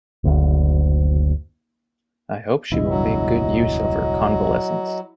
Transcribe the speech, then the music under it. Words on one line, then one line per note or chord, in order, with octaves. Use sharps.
I hope she will make good use of her convalescence.
F#1 D2
E1 C#2 G2 E4 D#5
F#3